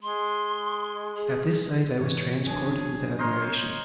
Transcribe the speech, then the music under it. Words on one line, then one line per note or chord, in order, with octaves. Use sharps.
At this sight I was transported with admiration.
G#3 C6
G#4
G#2 E3 C#5
F#3 D4 G#4 G#5
A#4 C5 C#5 D#5 C6